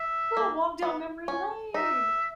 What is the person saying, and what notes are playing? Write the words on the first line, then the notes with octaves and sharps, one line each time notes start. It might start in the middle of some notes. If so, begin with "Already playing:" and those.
Little walk down memory lane.
Already playing: E5
A#3
B3
C#4
D#4 E5